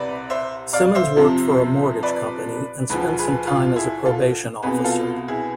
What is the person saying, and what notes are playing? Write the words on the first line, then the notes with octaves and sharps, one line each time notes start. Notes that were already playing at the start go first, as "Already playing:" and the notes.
Simmons worked for a mortgage company and spent some time as a probation officer.
Already playing: C2 C3 B4 D5
C5 E5
D5 F5
C5 E5
F2 C3 F3
B4 D5
D2 D3 F3 G#4 B4
G#4 B4
F4
E4 G#4
F4 A4
C2 B2 G#4 B4
F4 A4
E4 G#4